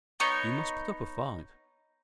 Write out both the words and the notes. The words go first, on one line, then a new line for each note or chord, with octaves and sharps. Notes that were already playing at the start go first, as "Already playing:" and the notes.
You must put up a fight.
B3 D#4 C#5 C#6